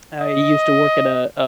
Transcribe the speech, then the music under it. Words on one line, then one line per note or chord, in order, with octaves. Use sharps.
I used to work at a
D#5